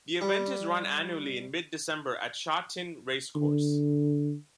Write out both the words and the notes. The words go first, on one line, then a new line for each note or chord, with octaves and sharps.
The event is run annually in mid-December at Sha Tin Racecourse.
G3
D3